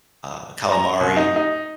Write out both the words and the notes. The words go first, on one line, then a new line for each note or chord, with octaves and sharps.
uh, calamari.
A#5
C2
D#4
D#4